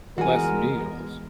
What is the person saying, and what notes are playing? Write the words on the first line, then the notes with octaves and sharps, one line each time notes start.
less meals,
E3 G#3 B3 F#4 A#4 G#5